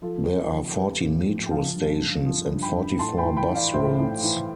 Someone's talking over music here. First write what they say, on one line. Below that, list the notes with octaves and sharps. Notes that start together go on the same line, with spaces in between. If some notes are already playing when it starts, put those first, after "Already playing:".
There are fourteen Metro stations and forty four bus routes.
F3 F4 A4
F3
F3
F3 G4 B4
A2
F3
G5
F3 F5 A5
G2
G2
F3
G2
G5 B5
G2
A2 A5 C6
G5 B5
E3
G5 B5
E3
D5 F5
A2 C5 E5
A2
E3